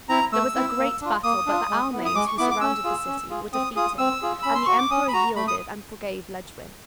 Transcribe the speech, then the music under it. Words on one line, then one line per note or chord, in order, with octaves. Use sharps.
There was a great battle but the Almains who surrounded the city were defeated and the Emperor yielded and forgave Ledgwin.
C4 E4 A#5
A3 E6
C4 E4
A#3
D4 F4
A#3 D#6
D4 F4
G#3
B3 E4
D#6
G#3 D6
C#6
B3 E4 D6
D6
C#4 E6
F4 G#4
C#4
F4 G#4
C4 D#6
F4 G#4 D#6
C4 E6
F4 G#4
C#4 B5
C6
F#4 C#6
D6
C#4 D#6
B5
F#4 A#5
A3 B5
D#6